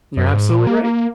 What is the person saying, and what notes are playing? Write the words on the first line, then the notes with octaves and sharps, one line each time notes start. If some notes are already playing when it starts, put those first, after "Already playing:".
You're absolutely right,
F#2
G#2
A#2
A#3
A#3